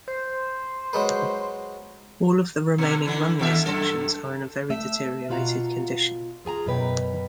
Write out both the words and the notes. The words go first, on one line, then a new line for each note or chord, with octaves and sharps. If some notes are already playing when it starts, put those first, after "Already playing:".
All of the remaining runway sections are in a very deteriorated condition.
C5
F#3 G#3 B4
B2
D3 E3
D#2 A4 E5
F#2 E3 A4
A3 E5
B2 F4 F#4 F5 A#5
F4 G#4 G#5 A#5
F#2 B2 B4 G5